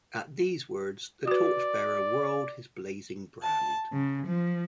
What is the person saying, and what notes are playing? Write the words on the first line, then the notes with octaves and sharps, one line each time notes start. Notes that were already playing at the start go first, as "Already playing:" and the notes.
At these words, the torch-bearer whirled his blazing brand.
F#4 B4 D5
A5
C#3
F3